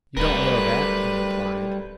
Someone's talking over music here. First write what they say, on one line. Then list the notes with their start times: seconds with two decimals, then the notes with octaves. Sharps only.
"You don't know that," he replied.
0.17 D1 G3 A#4 B4